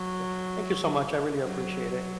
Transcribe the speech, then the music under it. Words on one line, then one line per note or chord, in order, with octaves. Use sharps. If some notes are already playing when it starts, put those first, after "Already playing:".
Yeah. Thank you so much, I really appreciate it.
Already playing: F#3
F#3